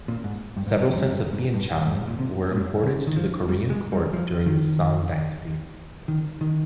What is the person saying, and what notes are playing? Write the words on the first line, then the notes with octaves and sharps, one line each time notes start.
Several sets of "bianzhong" were imported to the Korean court during the Song Dynasty.
A#2
G#2
G2
G#2
G2
F2
G2
G#2
G2
G#2
A#2
C3
A#2
D3
D#3
F3
G3
G#3
G3
F3
D#3
D#3
D#3